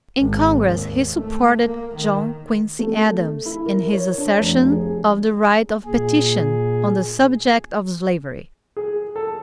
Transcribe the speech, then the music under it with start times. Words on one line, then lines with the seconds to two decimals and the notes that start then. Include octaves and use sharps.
In congress he supported John Quincy Adams in his assertion of the right of petition on the subject of slavery.
0.18 G#1
0.68 D#2
1.16 A3
1.60 A#3
1.95 D#3
2.79 A3
3.46 E4
3.66 A#4
3.92 C#5
4.18 D4
4.41 F1
4.72 G#4
5.85 A#2 G#4
8.77 G#4
9.16 A4